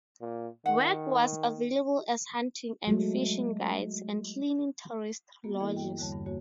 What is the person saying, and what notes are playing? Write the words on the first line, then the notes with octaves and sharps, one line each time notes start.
Work was available as hunting and fishing guides and cleaning tourist lodges.
A#2
D#3 F#5
F#3 G#3 A3
A#3 B3 F#4
E3 A#3 E4 A4 D#5
G2 F#4 G5
E2 D3 G3 C#5 A5
G2
E2 A#3 F#4 C#5